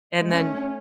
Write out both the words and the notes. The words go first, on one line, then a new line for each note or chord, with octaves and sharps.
and then
G#3
A3 C#4